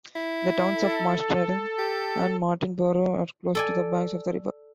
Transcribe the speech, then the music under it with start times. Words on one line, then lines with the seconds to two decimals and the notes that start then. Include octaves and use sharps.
The towns of Masterton and Martinborough are close to the banks of the river.
0.15 E4
0.74 A4
1.78 G4
3.55 A4 D5 G#5